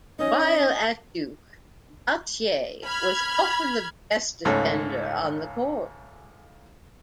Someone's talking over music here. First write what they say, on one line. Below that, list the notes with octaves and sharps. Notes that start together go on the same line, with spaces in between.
While at Duke, Battier was often the best defender on the court.
C#4 D#4 D#5
B5 F6 G#6
C#2 G#2 C#3 A3 C#4